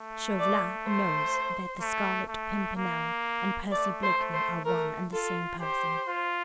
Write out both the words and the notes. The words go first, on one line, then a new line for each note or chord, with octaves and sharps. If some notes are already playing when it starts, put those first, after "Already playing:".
Chauvelin knows that the Scarlet Pimpernel and Percy Blakeney are one and the same person.
Already playing: A3
D5
C5
A3
A3
A#3
A3 D5
C5
A3
C5
A3 A#4
F4 A4
G4 C5
F4